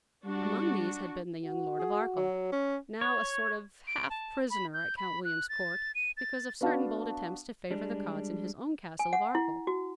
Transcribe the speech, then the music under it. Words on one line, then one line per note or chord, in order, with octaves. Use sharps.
Among these had been the young Lord of Arkell, now a sort of half prisoner at Count William's court because of certain bold attempts to favor the Cods in his own castle of Arkell.
G3 D4 F#4
F#4
G#4
F#3
C#4
C#5
D7
A5
B5
G6
B5
F#6
A6
D#7
A6
B3 D4 F#4 F5 A5
G3 G#3 D4
G#5
F#5
E4
F#4